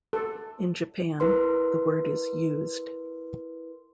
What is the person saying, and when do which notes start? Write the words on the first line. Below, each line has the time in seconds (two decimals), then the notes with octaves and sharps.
In Japan, the word is used.
0.13 A4
1.20 E4 A#4 B4 C6